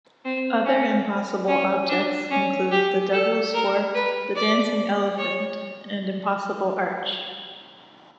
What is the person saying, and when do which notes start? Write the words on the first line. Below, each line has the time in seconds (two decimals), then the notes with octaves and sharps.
Other impossible objects include the devil's fork, the dancing elephant, and impossible arch.
0.25 C4
0.66 C#4
1.48 C#4
1.89 D4
2.30 C#4
2.72 G4
3.13 A4
3.54 A#4
3.94 B4
4.36 D5
5.18 C#5